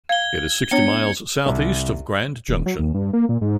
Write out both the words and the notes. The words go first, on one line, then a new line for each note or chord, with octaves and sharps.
It is sixty miles southeast of Grand Junction.
F5 G#6 G7
B3 D4 C#5 C#7
C2
D#1
F#3
D#2
G2
A#3
A#2
G#2